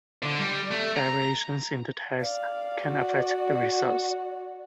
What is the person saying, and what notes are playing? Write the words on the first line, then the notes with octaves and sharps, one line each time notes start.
Variations in the test can affect the results.
D3
G3
A3
A#5
D5 F5
F#4